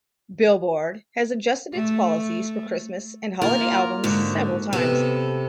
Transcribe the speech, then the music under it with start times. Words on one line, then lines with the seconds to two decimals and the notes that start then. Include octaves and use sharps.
"Billboard" has adjusted its policies for Christmas and holiday albums several times.
1.74 A3
3.42 A#3 F4 A#4
4.04 G#2 D3 F#4
4.73 C3 B3 A4